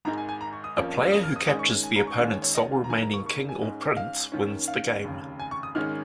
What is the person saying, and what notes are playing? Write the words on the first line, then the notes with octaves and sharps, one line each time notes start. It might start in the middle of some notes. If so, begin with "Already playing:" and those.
A player who captures the opponent's sole remaining king or prince wins the game.
G#1 G#2 D#3 G#3 A#5
G#5
G#5
A#5
C#6
D#6
F2 F3 A#3 C#4
D#6
F6
D#6
G#2 D#3 G#3 C#4 D#6
C#6
G#5
A#5
C#6
D#2 D#3 G#3 C#4 F5
C#5
C#5
D#5
F5
A#5
F2 D#3 A#3 G#5
A#5
C#6
C#6
G#5
G#2 G#3 C#4
D#5
F5
D#2 D#3 C#4
F5
F1 D#2 C#3
G#5
C#6
D#6
G#1 G#2 D#3 G#3 C#4 F6